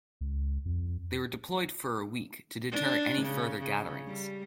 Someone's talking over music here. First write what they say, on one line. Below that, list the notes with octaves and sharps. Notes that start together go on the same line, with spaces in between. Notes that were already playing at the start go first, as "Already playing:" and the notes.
They were deployed for a week, to deter any further gatherings.
C#2
F2
D4
C#3
C#3
G3